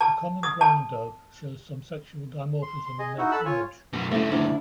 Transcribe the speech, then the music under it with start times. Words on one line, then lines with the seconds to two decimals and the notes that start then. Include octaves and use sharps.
The common ground dove shows some sexual dimorphism in their plumage.
0.01 A5
0.43 D#6
0.61 A5
2.62 C6
2.86 C6
2.99 G#4 D#5
3.18 D#4 E4 F#4 E5 F#5
3.32 A4 B5 E6 F#6
3.45 F4 C#5 G#5
3.93 F#2 B2
4.11 G2 C#3 A3 E4
4.32 D2 D4 E4